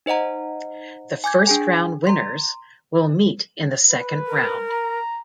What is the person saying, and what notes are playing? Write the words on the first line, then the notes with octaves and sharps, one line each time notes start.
The First Round winners will meet in the Second Round.
D#4 C5 D#5 F#5 A#5
G#5 D6 G6 G#6
D4 G#4 G#5
A#5 C6
B4
A#4
A#5